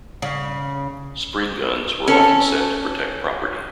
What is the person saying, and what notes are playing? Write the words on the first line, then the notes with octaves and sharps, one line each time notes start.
Spring-guns were often set to protect property.
C#3
C#4 A4